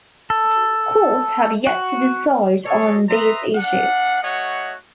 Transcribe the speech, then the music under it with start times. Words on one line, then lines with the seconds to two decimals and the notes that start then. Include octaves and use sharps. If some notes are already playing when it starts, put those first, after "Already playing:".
Courts have yet to decide on these issues.
0.30 A4
1.67 F#4
2.65 D4 G#4 A4 C#5
3.09 B4 D#5 E5 A#5 C6
3.55 D4 F5 F#5
4.22 A3 F#4 C#5 D#5 F#5